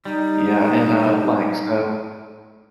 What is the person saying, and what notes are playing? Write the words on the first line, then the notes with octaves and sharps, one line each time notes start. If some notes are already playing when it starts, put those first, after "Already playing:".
Yeah. And, uh like, so
G3 D#4